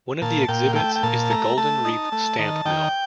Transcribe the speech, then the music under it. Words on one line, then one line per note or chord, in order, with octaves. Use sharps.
One of the exhibits is the Golden Reef Stamp Mill.
A#2 A5
A#2 G5
A3 G5
G5
A#2 A5
A3 A#5
A3 A5
D#4
A3
D#3
D#3 G5